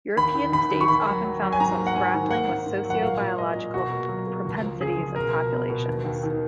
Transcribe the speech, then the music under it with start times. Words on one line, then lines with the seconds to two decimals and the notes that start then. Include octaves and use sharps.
European states often found themselves grappling with sociobiological propensities of populations.
0.17 D#2 B5
0.35 D#3
0.52 D#2 B5
0.71 D#3
0.81 C#6
0.88 D#2 B5
1.06 F#3
1.24 F#3
1.42 F#3
1.52 G#5
1.60 G#2 A#5
1.77 A#3
1.87 F#5
1.96 G#2 G#5
2.13 D#3
2.30 A#3 F#5
2.49 G#2
2.67 G#2
2.85 F#3
2.90 F#5
3.02 A#2 F5
3.21 A#2
3.38 G#3 D#5
3.55 A#2
3.74 B2 F#4
3.91 A#3
4.09 F#3
4.27 A#3
4.45 C#2
4.62 F3
4.81 C#3 G#4
4.98 F3
5.16 B2 A#4
5.34 B2
5.52 B3
5.70 B2
5.88 D#2
6.05 D#2
6.23 D#3